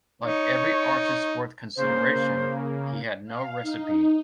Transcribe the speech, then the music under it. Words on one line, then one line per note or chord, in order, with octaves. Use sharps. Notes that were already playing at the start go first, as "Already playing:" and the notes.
Like every artist worth consideration, he had no recipe.
D#4 C#5
C#3 A#3 C5
F5
D#4